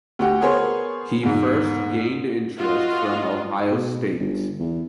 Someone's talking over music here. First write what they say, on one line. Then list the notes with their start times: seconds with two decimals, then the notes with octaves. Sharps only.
He first gained interest from Ohio State.
0.19 D2 G4 F#5
0.41 B3 G#4 A#4 C5 C#5
1.23 E2 G#2
2.59 F4 F#4 D#5
3.71 B2
4.19 G1
4.60 E2